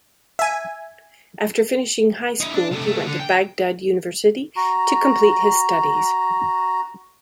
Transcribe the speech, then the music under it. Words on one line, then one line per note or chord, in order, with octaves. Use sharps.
After finishing high school he went to Baghdad University to complete his studies.
E5 G#5
D#4 E4
D4
C3 A3
A3 B3
D3
G5
F#4 A#5